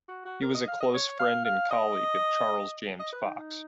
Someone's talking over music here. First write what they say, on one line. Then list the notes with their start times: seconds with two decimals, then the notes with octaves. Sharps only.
He was a close friend and colleague of Charles James Fox.
0.08 F#4
0.26 F#4
0.42 A#4
0.55 D#5
0.68 F5
0.81 D#5
0.94 C#5
1.20 F5
1.45 F5
1.71 D#5
3.00 D#5
3.13 B4
3.25 D#4
3.39 D#4